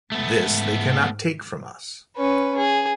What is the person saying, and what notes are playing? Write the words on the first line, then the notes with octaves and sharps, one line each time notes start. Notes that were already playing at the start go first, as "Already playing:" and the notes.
This they cannot take from us.
G#2 A3 B3
C#4 B4
G#4